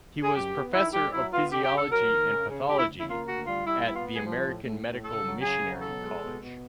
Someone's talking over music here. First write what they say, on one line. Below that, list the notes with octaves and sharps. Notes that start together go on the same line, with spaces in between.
He was Professor of Physiology and Pathology at the American Medical Missionary College.
G#4
F#2 G4
B3
D#3 E4
G3 G4
F#3 E4
B3 F4
D3 G4
G4
D3
A4
F#3 A#4
D#2
C#3
C#3
D2 G4
E4
C#3
E4
A#3 F4
D2 F#4
G3 F4
G3 E4
B3 E4
F4
G3
G#4
F3
A2
A2
A2
C#3 A4
F#3
C#3 G#4
F#3
B2 A4
G#3
B2
B2